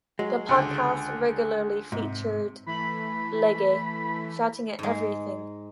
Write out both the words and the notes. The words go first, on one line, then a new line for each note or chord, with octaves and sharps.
The podcast regularly featured Legge shouting at everything.
F#3 G#3
C#2 D3
G#2 C3
E3 A3 B5
G#2 G#3